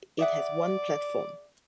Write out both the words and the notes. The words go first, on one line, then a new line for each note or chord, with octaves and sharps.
It has One platform.
G#4 D5 E5 F#5